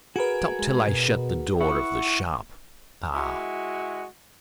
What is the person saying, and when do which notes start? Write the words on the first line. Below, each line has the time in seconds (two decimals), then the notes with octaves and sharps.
Stop till I shut the door of the shop. Ah!
0.16 F#4 G#4 A#4 B4 G#5 D7
0.59 G#3
0.87 B2
1.61 E4 F#5 C#6
3.13 G#3 E4 F#4